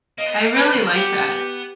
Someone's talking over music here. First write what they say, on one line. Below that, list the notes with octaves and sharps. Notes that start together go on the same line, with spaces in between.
I really like that.
A#3 D#5
B3
A#3
G3 B4
D#3
B3 G4